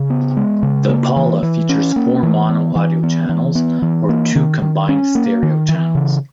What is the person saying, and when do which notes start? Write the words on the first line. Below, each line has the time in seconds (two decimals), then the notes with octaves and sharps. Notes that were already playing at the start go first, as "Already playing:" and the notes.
The Paula features four mono audio channels, or two combined stereo channels.
Already playing: C#3
0.10 B3
0.37 G#3
0.63 C#3
0.90 A#3
1.16 E3
1.43 E3
1.69 C#4
1.96 A#3
2.23 E3
2.49 B3
2.75 E3
3.03 B3
3.29 E3
3.55 B3
3.82 E3
4.09 A#3
4.36 D#3
4.62 D#3
4.89 C#4
5.15 A#3
5.43 D#3
5.69 E3
5.95 C#3